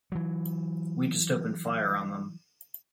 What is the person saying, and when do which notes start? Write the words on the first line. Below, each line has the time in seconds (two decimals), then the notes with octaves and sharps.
We just opened fire on them.
0.12 E3 F#3